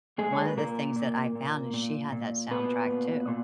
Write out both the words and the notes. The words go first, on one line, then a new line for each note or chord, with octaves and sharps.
one of the things that I found is she had that soundtrack too,
A#2 G#3 G#4
C#5
B4
A#2 A#3 A#4
A#2
A#2
A#2
A#2
A#2 B3 B4
A#2
A#2